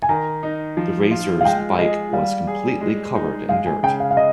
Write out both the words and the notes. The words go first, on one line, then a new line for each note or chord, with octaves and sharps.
The racers bike was completely covered in dirt.
G#5
D#3 A#5
D#4
F3
F4
F5
G#3 G5
G#4 D#5
G3 F5
G#4
G#3
D#4
G#3 F5
G#5
C#3 G5
F5
F5
D#5